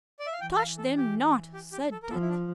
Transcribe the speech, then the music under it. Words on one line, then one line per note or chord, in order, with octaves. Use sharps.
"Touch them not!" said Death.
D5
E5
F5
E3 G5
F5
A4
G4
G4
G4
A4
A#4
F3 A4
E4
D4